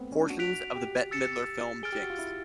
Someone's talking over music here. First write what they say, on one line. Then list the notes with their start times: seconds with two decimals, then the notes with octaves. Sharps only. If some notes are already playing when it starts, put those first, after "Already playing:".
Portions of the Bette Midler film Jinxed!
Already playing: A3 B3 C4
0.12 C#4
0.20 D4
0.30 F#4
0.39 F#6 B6 D7 F7
0.76 G4
1.11 E6 A6 C#7 E7
1.83 G#4 F6 A6 D7 G7
1.93 G4
2.02 F#4
2.10 F4
2.19 E4